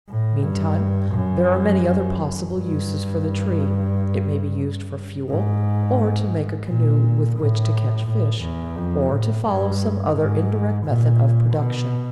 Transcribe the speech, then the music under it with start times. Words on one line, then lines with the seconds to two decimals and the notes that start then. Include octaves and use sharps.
Meantime, there are many other possible uses for the tree: it may be used for fuel, or to make a canoe with which to catch fish, or to follow some other indirect method of production.
0.09 A2
0.43 G2
1.12 F#2
2.52 G2
5.29 G#2
6.67 A#2
7.37 A2
8.08 A2
8.42 E2
8.76 F2
9.11 A2
9.46 G2
10.15 G#2
10.85 A#2
11.54 B2